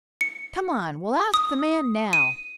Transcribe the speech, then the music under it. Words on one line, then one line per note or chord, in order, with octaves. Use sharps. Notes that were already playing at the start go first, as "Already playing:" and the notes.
"Come on, we'll ask the man now."
C#7
D#6
D#7